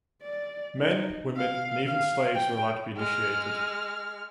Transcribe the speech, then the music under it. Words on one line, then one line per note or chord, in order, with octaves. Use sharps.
Men, women and even slaves were allowed to be initiated.
D5
D#4
F5
F5
G5
G#3 F6